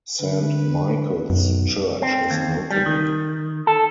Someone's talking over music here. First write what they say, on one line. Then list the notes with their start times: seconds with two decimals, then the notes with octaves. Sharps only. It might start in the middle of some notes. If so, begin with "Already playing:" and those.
Saint Michael's Church is notable.
0.21 D3 B4
1.30 B1 F#2
2.02 C4
2.31 D#2
2.71 G3
2.86 D#3
3.67 A4